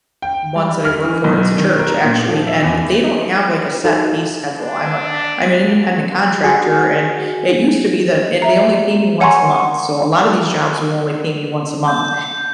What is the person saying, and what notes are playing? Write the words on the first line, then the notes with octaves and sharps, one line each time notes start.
ones that I work for, it's a church, actually- and they don't have, like, a set pay schedule, I'm a c I'm an independent contractor and, it used to be that and they only pay me once a month. So, a lotta these jobs will only pay me once a month,
G5
G3
F6
E3
B1
D#3
A#4
A#2
F3
E5
E2
D#4 F#4 A4
D4
F#4 G#4
E5 A#5
C#5 F#5 G#5 A#5 C6 C#6
G6